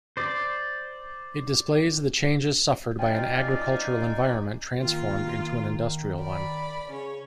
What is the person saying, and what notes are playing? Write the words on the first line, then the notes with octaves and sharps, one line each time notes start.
It displays the changes suffered by an agricultural environment transformed into and industrial one.
C5 D5
F3 C#4 D#4 F4 D5 G5 G#5
D#3 A#3 F4
D5 B5
C#3 C#4 C#5